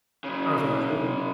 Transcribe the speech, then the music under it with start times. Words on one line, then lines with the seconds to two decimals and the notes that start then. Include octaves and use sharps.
I lose all my freedom,
0.24 F#2 C#3